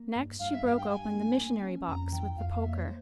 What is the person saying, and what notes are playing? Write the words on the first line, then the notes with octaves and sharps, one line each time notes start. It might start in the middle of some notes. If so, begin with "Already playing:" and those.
Next she broke open the missionary-box with the poker.
Already playing: A#3
G2
G2 F5
E5
G2 F5
G5
G2 G#5
A#3
A#3
C#4
F2 A#5
E3 G5
F2 F5
F5
A#3 E5
C#5
C5